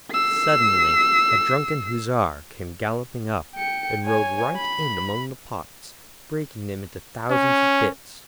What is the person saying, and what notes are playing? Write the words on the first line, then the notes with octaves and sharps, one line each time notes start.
Suddenly, a drunken Hussar came galloping up, and rode right in among the pots, breaking them into thousands of bits.
E6 C7
G5 C#7
C#5 G#5
B5
C#4